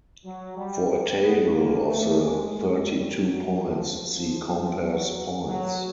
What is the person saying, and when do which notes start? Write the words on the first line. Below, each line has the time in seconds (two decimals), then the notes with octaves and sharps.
For a table of the thirty-two points, see compass points.
0.24 F#3
0.56 G3
0.89 G3
1.21 B3
1.54 A#3
1.87 A3
2.20 G#3
2.52 G#3
2.85 G3
3.18 F#3
3.51 F3
4.16 F3
4.48 F3
4.80 F#3
5.46 F#3